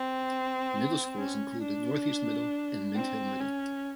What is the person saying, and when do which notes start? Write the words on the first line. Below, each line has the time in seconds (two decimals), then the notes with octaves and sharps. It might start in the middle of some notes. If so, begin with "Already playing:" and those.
Middle schools include Northeast Middle, and Mint Hill Middle.
Already playing: C4
1.17 C#4
1.62 D4
2.96 C4
3.40 C#4